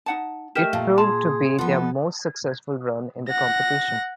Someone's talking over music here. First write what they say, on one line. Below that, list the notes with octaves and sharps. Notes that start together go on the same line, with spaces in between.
It proved to be their most successful run in the competition.
D#4 F#5 A5
A3 G4 A#4 D#5 F6 B6 E7
A#2 F5 A5
G#4 A5 C6
F3 B3 F4 A4
F#5 A#6